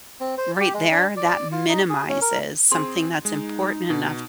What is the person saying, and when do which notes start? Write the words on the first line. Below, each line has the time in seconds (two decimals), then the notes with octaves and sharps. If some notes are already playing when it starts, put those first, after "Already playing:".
right there, that minimizes something that's important enough
0.20 C4
0.38 C5
0.60 G4
0.74 G#3
0.91 D4
1.17 D5
1.52 F4
1.68 D#4
1.90 G#4
2.09 C#4
2.22 A#4
2.72 C4 G#4 C6
3.25 G#3 D#4
3.90 B2